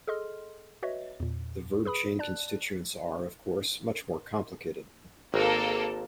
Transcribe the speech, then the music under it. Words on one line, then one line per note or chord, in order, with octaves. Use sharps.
The verb chain constituents are, of course, much more complicated.
G#4 A4 D#5 C6 F6
F#4 B4 C#5 D#5 E5
E2 A#2
G#4 B4 B5 D#6
D5 A5 F#6
G#1 A#3 A4